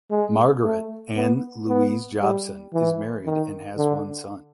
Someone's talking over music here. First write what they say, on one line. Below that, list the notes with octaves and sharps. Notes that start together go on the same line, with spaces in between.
Margaret Ann Louise Jobson is married and has one son.
G#3
A3
B3
B3
G3
E3
D#3
D3